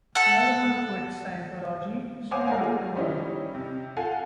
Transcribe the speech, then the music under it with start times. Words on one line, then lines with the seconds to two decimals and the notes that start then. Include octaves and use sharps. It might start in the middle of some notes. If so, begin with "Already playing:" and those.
Lerma quit Scientology soon afterward.
0.15 A4 F#5
2.31 C5 C#5 F5 F#5 G#5 D6
2.48 A#4 D5 F5 F#5 G#5
2.60 A3 A#3 F4 G#4
2.95 G3 C#4 D#4 E4
3.55 C3
3.96 F4 A4 F5 F#5 G#5 A5